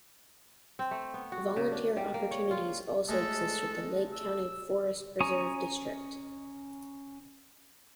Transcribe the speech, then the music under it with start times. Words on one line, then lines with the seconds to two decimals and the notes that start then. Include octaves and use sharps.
Volunteer opportunities also exist with the Lake County Forest Preserve District.
0.79 C4
0.91 A3
1.14 B3
1.32 F#4
1.56 C#3
1.72 D4
1.97 G3
2.14 A#3
2.31 C#5
2.51 F4
3.09 G#3 A3 A4
4.13 E6
5.20 C#4 G#5 A#5 C#6 D#6